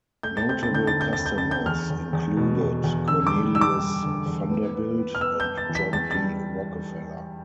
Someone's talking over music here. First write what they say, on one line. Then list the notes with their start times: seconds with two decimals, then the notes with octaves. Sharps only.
Notable customers included Cornelius Vanderbilt and John D. Rockefeller.
0.23 A3 G6
0.37 A6
0.48 C4 G6
0.63 A6
0.71 D3 G6
0.87 A6
0.95 D3
1.01 G6
1.13 A6
1.19 D2
1.26 G6
1.38 D2 A6
1.51 G6
1.66 E2 F6
1.90 E2
2.13 E2
2.37 B2
2.61 E2
2.84 E2
3.08 D3 E6
3.27 D6
3.32 G3
3.55 G3 E6
3.61 D6
3.79 G3
4.03 D3
4.26 E2
4.50 B3
4.75 B3
4.98 B3
5.15 F6
5.21 B3 E6
5.40 G6
5.45 B3
5.58 A6
5.69 E3
5.75 B6
5.93 E2 A6
6.11 G3 A6